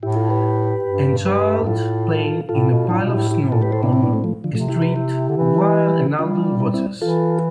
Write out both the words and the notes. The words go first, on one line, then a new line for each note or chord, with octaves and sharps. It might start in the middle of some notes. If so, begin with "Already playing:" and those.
An child playing in a pile of snow on a street while an adult watches.
A2 E4 G4
F4 A4
G4 B4
G2
G4 B4
G2
A2 F4 A4
A2 F4 A4
B2
A2 D4 F4
B2 F4
E4 G4
A2
E4 G4
F4 A4
G4 B4
A4 C5
B3 D4
C4 E4
B3 D4
A3 C4
F3 A3
D3 F3
C3 F3 A3
E4 G4
G4 B4
E4 G4
D3
E3
G3 D4 F4
C4 E4
C4 E4
E3 F4 A4